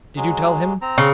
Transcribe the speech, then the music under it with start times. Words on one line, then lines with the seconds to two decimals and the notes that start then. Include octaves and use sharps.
Did you tell him?
0.17 F#3 G#3
0.82 C4 A#5
0.98 C#3